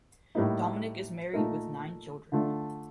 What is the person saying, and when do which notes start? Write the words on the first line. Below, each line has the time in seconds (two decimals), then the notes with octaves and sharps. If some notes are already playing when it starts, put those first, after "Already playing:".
Dominic is married with nine children.
0.35 A2 G3 A#3 D#4
1.33 A#2 A3 D#4 A#4
2.32 D3 A3 D4 F4